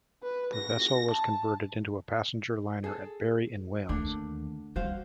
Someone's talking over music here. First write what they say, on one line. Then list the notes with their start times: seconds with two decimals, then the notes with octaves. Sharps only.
The vessel was converted into a passenger liner at Barry in Wales.
0.23 B4
0.54 A#6
1.11 A5
2.84 G#4 A4
3.89 D#2 D3 A3 D4
4.76 G3 F#4 C5 F5